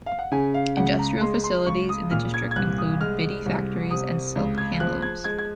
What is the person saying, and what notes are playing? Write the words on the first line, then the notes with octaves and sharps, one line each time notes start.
Industrial facilities in the district include bidi factories and silk handlooms.
F5
F#5
C#3 G#5
F5
C#2 F#5
A#5
G#3 C6
C6
C#2 C#6
D#6
A#2 F6
G#6
G#6
C2 F#6
D#6
G#3 F6
C2
C3 D#6
C#2
G#6
F3 F#6
G#6
G#3 G#6
G#6